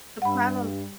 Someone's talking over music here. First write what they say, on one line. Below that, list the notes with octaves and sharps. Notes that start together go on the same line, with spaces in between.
The problem
G2 G3 F#5 B5